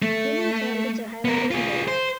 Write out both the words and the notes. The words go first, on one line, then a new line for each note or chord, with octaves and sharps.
Winning candidates are highlighted in bold.
A3
B3 A#4
F4 G#4
C5